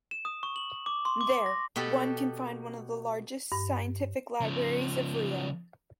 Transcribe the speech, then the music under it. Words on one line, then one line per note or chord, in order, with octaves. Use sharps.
There, one can find one of the largest scientific libraries of Rio.
E7
D#6
C#6
F#7
D6
C6
D6
A#6
B2 B3 G4 A4
G2
C#3 F3